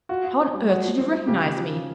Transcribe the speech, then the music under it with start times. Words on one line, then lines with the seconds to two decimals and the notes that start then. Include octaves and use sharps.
How on earth did you recognise me?'
0.09 F4 F#4
0.24 F4
0.40 C4
0.54 G3
0.69 G#3 F#4
0.84 F3
0.98 C4
1.13 F3
1.27 C#3 G4
1.43 C#3
1.57 F3
1.72 C#3